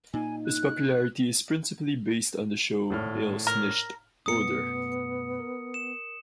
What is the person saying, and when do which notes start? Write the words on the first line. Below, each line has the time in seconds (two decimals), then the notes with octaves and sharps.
His popularity is principally based on the shows Alles nichts oder?!
0.13 A#2 A#3 D#4 G#5
0.45 F#6
2.90 G#1 A2 F6
3.47 A#4
4.26 F#2 B2 A3 B3 D#6 C#7
5.39 A#4
5.74 E7